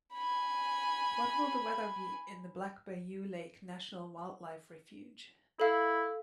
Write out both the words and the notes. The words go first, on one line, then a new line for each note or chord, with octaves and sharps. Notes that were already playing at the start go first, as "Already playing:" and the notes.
What will the weather be in the Black Bayou Lake National Wildlife Refuge?
G#5 B5
E4 A4 F5